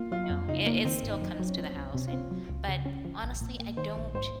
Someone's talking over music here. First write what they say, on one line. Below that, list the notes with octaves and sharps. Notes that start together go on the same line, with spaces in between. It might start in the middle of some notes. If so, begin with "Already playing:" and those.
you know, it it still comes to the house, and but, honestly, I don't
Already playing: A#3 F4
F#3 F4
F2
C#3 D#4
A#3
D#3 C4
G#1
D#4
F#2
D#4
F#3
C#4
F3 C4
C#2
C#4
C3
F4
C4
F#3
C#2
C#3
C#4
F3
A#1
A#2
A#3
D#3 C5
A#1
G#2 C5